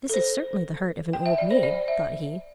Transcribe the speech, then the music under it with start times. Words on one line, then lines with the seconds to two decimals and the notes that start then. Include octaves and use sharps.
"This is certainly the heart of an old maid," thought he.
0.09 A4
0.14 C5
1.13 G5
1.26 E5
1.38 D5
1.51 C5
1.63 D5
1.88 E5